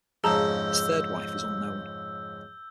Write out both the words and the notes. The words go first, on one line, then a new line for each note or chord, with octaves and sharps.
His third wife is unknown.
F2 G#2 C#3 G#4 A5 A#5 E6 G6